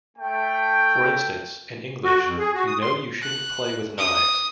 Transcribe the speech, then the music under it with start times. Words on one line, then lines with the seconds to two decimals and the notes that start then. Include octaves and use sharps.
For instance, in English, You know you shouldn't play with knives!
0.17 A3 G5
2.04 F#4
2.24 F2
2.38 G#4
2.54 F#4
2.67 D#6
2.82 C6
3.22 F#6
3.98 D#6